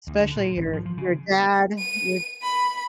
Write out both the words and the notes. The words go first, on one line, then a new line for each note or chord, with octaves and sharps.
especially your your dad, your
D2
D3
A#2
G#1
F3
F3
C#3
D#7
B5